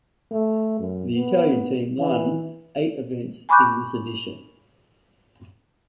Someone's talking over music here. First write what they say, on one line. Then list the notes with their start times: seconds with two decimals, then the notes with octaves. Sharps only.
The Italian team team won eight events in this edition.
0.31 A3
0.79 F#2
1.15 B3
1.99 E3
3.49 G#5 B5 C#6 D6 F#6 G6